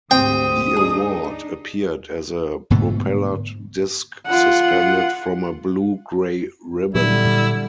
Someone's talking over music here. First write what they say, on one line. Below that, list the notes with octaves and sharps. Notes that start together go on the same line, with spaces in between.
The award appeared as a propellered disc suspended from a blue-grey ribbon.
D2 G#2 C4 G4 G5 D#6
D4 D#4 G#4
G#2 B2 D3 A3
F4 F#5
A#2 D3 F#3 G3 B3 E4